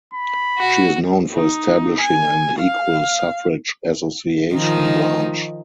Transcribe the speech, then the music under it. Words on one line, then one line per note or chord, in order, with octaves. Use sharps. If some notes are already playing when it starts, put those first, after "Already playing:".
She is known for establishing an "Equal Suffrage Association" branch.
B5
F#4
D#4
G#5
F5
D#3 F3 D#4